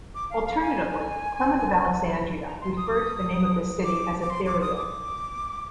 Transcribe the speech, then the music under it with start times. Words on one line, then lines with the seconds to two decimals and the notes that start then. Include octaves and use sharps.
Alternatively, Clement of Alexandria referred to the name of this city as "Athyria".
0.15 D6
0.30 F5
0.45 F5
0.61 G#5
2.46 A#5
2.61 C6
2.77 D#6
2.87 D6
2.93 D#6
3.84 D6
4.21 D6
4.30 C6
4.46 D6
4.61 D#6
4.77 D6